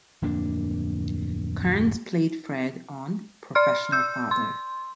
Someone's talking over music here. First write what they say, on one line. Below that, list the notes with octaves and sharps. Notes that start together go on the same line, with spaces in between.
Kearns played Fred on "Professional Father".
D1 F2 A#3 D4
D5 C6 F6
E6 G6
C6